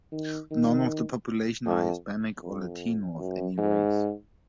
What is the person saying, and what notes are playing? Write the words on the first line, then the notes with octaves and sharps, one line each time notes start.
None of the population are Hispanic or Latino of any race.
D#3
D#3
F2
F2
F#2
G#2